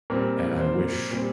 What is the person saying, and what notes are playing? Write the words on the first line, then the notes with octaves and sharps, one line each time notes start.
and I wish
A#2 G3 C4 A#4
C5
A#2 G3 C4